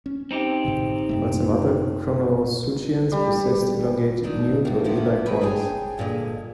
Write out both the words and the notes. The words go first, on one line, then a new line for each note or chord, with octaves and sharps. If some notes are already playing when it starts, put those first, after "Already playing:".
While some other Chroniosuchians possessed elongated newt- or eel-like bodies.
C#4
C4 D#4 G4
G#2 B2 D3
F#2 C3 A3
G3
A#2 D4 D#4
D2 A2 A#3
A2 F3 A#3 B3 E4
A2 C#3 A#3 B4
D4 G#4 C#5 G5 G#5
G2 A#2 D3 G#3